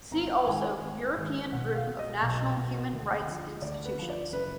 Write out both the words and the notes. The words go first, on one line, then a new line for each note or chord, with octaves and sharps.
See also European Group of National Human Rights Institutions.
G#1 A#5
G#2 D#3 G#5
G#1
G#2 D#3
B1 F#5
F5
B2
D#5
B1
B2
D2
D3 F3
D2 D5
B4
D3 F3
D5
F#1 B4